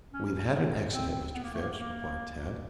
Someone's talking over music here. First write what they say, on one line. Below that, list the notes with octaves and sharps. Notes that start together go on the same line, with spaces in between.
"We've had an accident, Mr. Phipps," replied Tad.
C#4
B3
C4
B3
A#3
A3
A#3
A#3